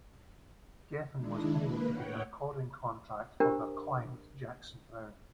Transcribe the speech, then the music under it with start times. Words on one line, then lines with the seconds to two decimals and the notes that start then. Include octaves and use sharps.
Geffen was unable to get a recording contract for their client Jackson Browne.
1.16 D#3 G#3 D4 E4
1.52 A#3 B4
1.91 A2 C#5 F#5 G5
3.40 D4 G4 A#4 C5 A#5